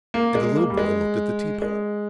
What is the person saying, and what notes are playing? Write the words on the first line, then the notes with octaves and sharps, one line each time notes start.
And the little boy looked at the tea-pot.
A#3
G#3
A#3
G3
G#3
G#3